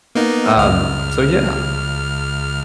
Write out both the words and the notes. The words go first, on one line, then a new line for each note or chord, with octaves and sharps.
Um so yeah,
A#3 B3 D#4
C#2 F6